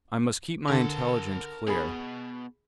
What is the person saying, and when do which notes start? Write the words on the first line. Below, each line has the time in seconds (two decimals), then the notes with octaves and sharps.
I must keep my intelligence clear.
0.69 D3 A#4 A5
1.68 B2 G#4 B5